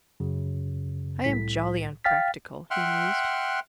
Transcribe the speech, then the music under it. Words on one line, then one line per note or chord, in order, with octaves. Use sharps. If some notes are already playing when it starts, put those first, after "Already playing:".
"I am jolly unpractical," he mused.
F#2 C#3
C2 A2 B6
F5 G5 F6 A6 B6
E5 F#5 G5 C6 F6 F#6